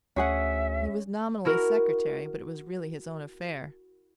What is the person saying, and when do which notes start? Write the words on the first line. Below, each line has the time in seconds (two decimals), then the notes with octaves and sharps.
He was nominally secretary, but it was really his own affair.
0.16 D2 C#4 G#4 E5 F#5
1.45 E4 F#4 A#4